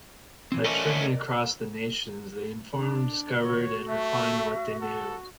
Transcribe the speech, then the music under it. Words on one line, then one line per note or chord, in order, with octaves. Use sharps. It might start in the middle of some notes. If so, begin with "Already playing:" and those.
Lecturing across the nation, they informed, discovered, and refined what they knew.
A#2 E3 C4
A3 C#4 A#4 D5 D#5
D4
F#4 C#5
A3 E5
A4 F#5